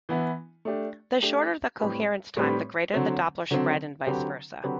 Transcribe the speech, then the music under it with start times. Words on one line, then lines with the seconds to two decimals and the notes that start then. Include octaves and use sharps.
The shorter the coherence time, the greater the Doppler spread and vice versa.
0.09 E3 B3 E4
0.65 A3 D4 G4
1.23 A3 D4 G4
1.80 A2 G3 C4 G4 B4
2.37 A2 G3 C4 G4 B4
2.94 D3 F#3 C4
3.51 D3 F#3 C4
4.07 D3 F#3 C4 G4 B4
4.64 D3 F#3 C4 G4 B4